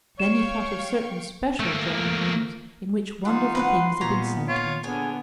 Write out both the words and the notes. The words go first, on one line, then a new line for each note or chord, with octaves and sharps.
Then he thought of certain special drawing-rooms in which wonderful things had been said to him.
C#5 F5 G5 C#6 E7
A3 A#3
E3 D#4 F4 F#4 C6
B2 F#4 B4 F#5
A#2 B3 C#4 D#4 A5 A#5
F4 C#5
D3 B3 G#4 C#5 G#5